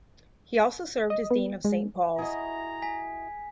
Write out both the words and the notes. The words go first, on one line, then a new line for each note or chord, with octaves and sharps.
He also served as Dean of Saint Paul's.
D#5
B3
G#3
E4 F#4 G#4 D#5 A#5
G#5 B6